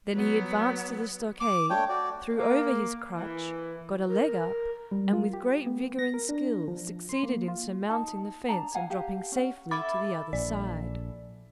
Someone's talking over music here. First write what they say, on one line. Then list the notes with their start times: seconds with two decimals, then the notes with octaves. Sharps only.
Then he advanced to the stockade, threw over his crutch, got a leg up, and with great vigour and skill succeeded in surmounting the fence and dropping safely to the other side.
0.14 F#3 B3
1.40 D6
1.70 A3 D4 C#5 G5
1.89 F#4 D5
2.37 A#3
3.16 E3
4.09 A#4
4.91 G3
5.13 F4
5.33 G4
5.66 B3
5.99 A#6
6.14 A#4
6.29 D4
6.68 F3
7.09 C6
7.23 A#3
7.48 F4
7.89 D#4 A5
8.49 D4 A5 A#5
8.75 F5 F#5 G#5
8.90 G4 F5
9.32 C#4 F#5
9.71 E4 A4 B5 D6 A6
10.33 A#1 D5